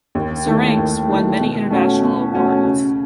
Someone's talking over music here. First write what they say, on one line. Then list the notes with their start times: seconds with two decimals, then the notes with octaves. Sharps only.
"Syrinx" won many international awards.
0.15 D#2
0.46 D#3 A3 E4
0.77 D#2
1.08 D#3 A3 E4
1.40 B2
1.70 A3 C#4 F#4
2.02 B2
2.34 A3 C#4 F#4
2.64 C#3